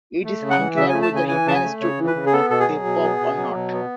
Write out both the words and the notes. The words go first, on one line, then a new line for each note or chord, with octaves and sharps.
It is unclear whether he managed to wound the Pope or not.
A3
C#3
F#5
E3
C#3 E5
G#5
A3
A5
C#3 G#5
E3 G#5
C#3 A5
G#5
A3
C#3 C#5
E3
B4
C#3
G#4
B3 A4
B2 A4
G#4
F#3
B2
B3
B2
F#3
B2
B3